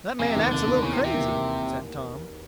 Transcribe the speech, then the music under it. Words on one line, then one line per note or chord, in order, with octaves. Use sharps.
"That man acts a little crazy," said Tom.
F1 C#3
C3
D#2 D3
F1 D3
D#2
E2 C#3
C3
E2
C3
A#3